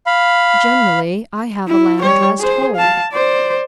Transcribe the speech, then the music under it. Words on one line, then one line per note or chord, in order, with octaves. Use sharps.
"Generally, I have a lamb dressed whole."
F5 B5
E4
G3 C#5
G#4 C5
F5 A5
C5 D5